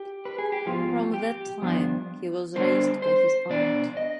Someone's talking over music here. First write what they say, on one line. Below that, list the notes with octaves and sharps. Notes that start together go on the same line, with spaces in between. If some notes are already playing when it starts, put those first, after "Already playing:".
From that time he was raised by his aunt.
Already playing: G4
B4
G#4
G4
G#2 F3 B3 F4
G4
G2 F3 B3 D4
D3 G3 B3 D4 C5
C5
B2 B3 D4 D5
D#5